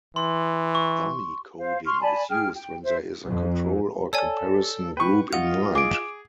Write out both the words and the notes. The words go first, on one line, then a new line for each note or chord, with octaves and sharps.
Dummy coding is used when there is a control or comparison group in mind.
E3 C6
C#6
C5 F5
C6 C#6 F6
D5 G#5 A5 B5
G#4 G5 F6
G5
C5 E5
F2
A4 C#5 D5 G#5
B4 G5 C#6
F4 D#5 F5 F#5 C#7
G#4 D6 D7